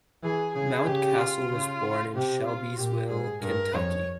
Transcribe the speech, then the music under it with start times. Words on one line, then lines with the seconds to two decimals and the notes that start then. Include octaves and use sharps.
Mountcastle was born in Shelbyville, Kentucky.
0.23 E3 G#4
0.55 C#3 G#4
0.87 C#3 G4
1.18 F4
1.51 C#3
2.14 C3 G4
2.47 F4
2.77 A#2 G4
3.10 G#2 G#4
3.42 G2 A#4
3.73 F2 C#5